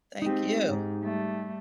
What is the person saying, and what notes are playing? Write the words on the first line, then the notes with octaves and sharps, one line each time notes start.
Thank you.
G#3 C4 D#4 G4
G#2
G3 A3